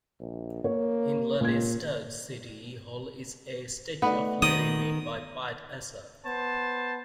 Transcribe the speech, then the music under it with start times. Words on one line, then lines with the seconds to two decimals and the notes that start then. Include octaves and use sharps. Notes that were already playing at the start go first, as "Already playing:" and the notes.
In Lelystad's city hall is a statue of Lely made by Piet Esser.
0.20 A#1
0.64 A#3 C#5
1.41 C#2 A#2 G#6
4.02 A3 B3 D#4 D5
4.42 D#3 D#6
6.25 B3 C5 A5